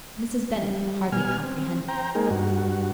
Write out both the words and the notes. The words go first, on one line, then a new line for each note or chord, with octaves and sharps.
Mrs. Bennet could hardly comprehend it.
G3
B2 G3 G#5 F6
C4
C5 G5 A#5
G#3 A#3 D#4 G#4 A#4
G2 F#4